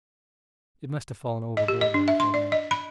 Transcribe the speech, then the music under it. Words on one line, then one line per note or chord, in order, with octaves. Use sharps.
It must have fallen overboard when I fell down.
D#5
G4
D#5
D4
E5
C6
D5
D#5
B5